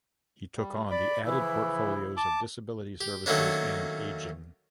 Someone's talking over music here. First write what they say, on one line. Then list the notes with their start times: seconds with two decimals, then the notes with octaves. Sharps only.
He took on the added portfolios of Disability Services and Ageing.
0.57 G3
0.91 D5 B5
1.25 C#3 E3 F3 E4
2.17 A5 D6
3.01 G4
3.26 D#3 F#3 A3 A#3 C#4 D4